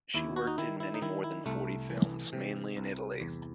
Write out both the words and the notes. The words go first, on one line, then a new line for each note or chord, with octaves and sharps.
She worked in more than forty films, mainly in Italy.
D#2 E4
F#4
D#4
D#3 E4
E4
D#4
D#3 E4
E4
C2 A3
E3
C3
C2
E2